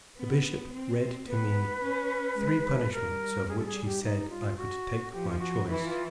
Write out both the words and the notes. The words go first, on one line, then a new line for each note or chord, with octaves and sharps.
The Bishop read to me three punishments of which he said, I could take my choice.
B3
C4
B3 B4
C#4
G#3
G3 A#4
G#4
A4
G#4
G4
D#4
F4
F#4
F3 G4
F4
F#4
E3 E4
F4